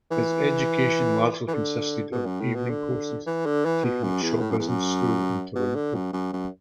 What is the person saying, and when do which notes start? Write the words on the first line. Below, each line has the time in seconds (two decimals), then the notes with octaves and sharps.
His education largely consisted of evening courses taken at Shaw Business School in Toronto.
0.11 E3
1.48 E3
1.54 D3
2.12 B2
2.26 F#2
2.40 A2
2.55 B2
2.69 D3
3.26 E3
3.46 D3
3.65 E3
3.84 B2
4.03 F#2
4.22 E2
4.41 A2
4.50 F#2
4.59 E2
4.69 F#2
5.56 B2
5.75 D3
5.95 F#2
6.13 F#2
6.33 F#2